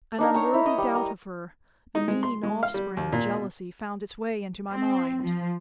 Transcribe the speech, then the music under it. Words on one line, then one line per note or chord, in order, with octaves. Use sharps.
An unworthy doubt of her--the mean offspring of jealousy--found its way into my mind.
D4 D#4 A#4
C#5 G5 A#5
E4
D#5
G3
A#4
D#4
G#3
C6
G#3
F5
G3
D#2
A#2
B2
C4
F3